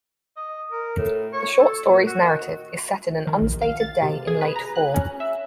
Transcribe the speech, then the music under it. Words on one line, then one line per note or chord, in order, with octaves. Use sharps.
The short story's narrative is set in an unstated day in late fall.
D#5
A#4
A2
C#5
A4
A#2
F#4
D#3
D#3
A#1
F5
A6
C3
G#4
B4
A#5
F#6
C#4
E5